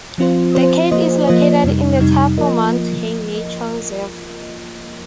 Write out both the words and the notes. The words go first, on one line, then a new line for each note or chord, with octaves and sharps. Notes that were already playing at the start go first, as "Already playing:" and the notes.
The cave is located in the Tapir Mountain Nature Reserve.
F3 C4 F4 C5
F3 C4 F4 C5
F3 A#3 F4 C5 D#5
F3 A#3 F4 C5 D#5
F2 C3 G3 D#4
F2 C3 G3 D#4
F3 A#3 F4 A#4 D#5